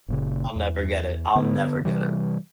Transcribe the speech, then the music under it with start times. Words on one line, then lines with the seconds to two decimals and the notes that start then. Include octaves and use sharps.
I'll never get it. I'll never get it.
0.08 F#1 A#2 C#3
0.56 E2
1.35 D3 B3
1.85 C3 E3 G3